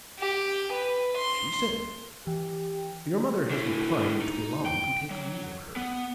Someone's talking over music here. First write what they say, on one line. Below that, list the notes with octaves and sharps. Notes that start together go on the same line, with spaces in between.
She said, 'Your mother has declined to allow me to take leave of her.
G4
B4
C6
E3 G4
D3 E4
D#4
G5
F#3
B3